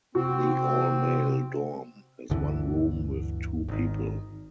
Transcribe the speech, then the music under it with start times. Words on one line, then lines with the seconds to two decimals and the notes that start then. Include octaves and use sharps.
The all-male dorm has one room with two people.
0.15 C3 C4 F#4
2.30 G1 D2 D3 E3
3.68 G#1 D#3